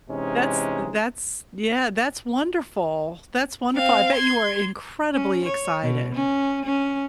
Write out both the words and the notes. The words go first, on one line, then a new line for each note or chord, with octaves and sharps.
That's th that's yeah, that's wonderful, that's wonderful. I bet you are incredibly excited.
C3 E3 G#3 C#4 D#4
C4 F5
C6 G#6
C#4
C#5
B2
C#4
C#4